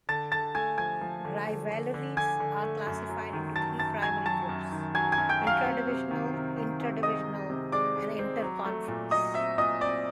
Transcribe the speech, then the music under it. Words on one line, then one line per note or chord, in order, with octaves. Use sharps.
Rivalries are classified into three primary groups; intradivisional, interdivisional, and interconference.
D3 A5 A6
D3 A5 A6
A3 G#5 G#6
F3 G#5 G#6
F3
D3
D3
D3
D3
D3 G#5 G#6
D3
A3
F#2
F#3
D#3
F#3 A5 A6
F#2 A5 A6
F#3 G#5 G#6
F#3 A5 A6
F#2
D#3
F#3 G#5 G#6
G#5 G#6
F#2
G5 G6
F#3
F5 F6
C4
C3
D#3
C3
D#3
C3
G#3 D#5 D#6
D#3
C3
G#3 D5 D6
G#3
C4
F#3
A3
A#2
F#3 D#5 D#6
C4 E5 E6
A#2 D#5 D#6
C4 D5 D6